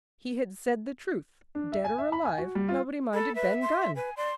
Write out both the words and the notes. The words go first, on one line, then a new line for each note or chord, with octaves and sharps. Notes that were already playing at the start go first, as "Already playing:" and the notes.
He had said the truth: dead or alive, nobody minded Ben Gunn.
D4
E5
G#5
E5
B5
G#5
F#4
G3
F4
A4 B5
B4 E5
C6
B4 G#5
D5 C6